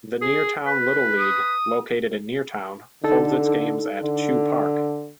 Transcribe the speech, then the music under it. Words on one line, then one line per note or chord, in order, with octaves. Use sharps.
The Neartown Little League, located in Neartown, holds its games at Chew Park.
G#4
B4
D#6
D3 D#4 A4
D3